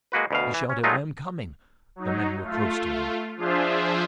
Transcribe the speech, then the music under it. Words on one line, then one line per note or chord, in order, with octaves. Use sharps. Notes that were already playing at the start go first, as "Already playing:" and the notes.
He shouted, 'I am coming!' The men were close to him.
G#3 A#3 F#4 B4
D2 B2 F5
E3
C#4
F#3 G#3 A3 D#4 F4
F#3 D#4
A3 F4
F3 D4 F4 G#4 C5 E5